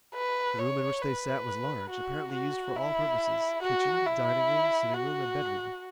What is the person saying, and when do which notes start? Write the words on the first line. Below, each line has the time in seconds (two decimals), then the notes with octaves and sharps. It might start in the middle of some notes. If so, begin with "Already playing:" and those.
The room in which they sat was large, apparently used for all purposes, kitchen, dining-room, sitting-room, and bedroom.
0.15 B4
0.59 C#5
1.02 B4
1.89 F#4
2.32 F#4
2.76 E4
3.63 F#4
4.06 E4
4.94 F#4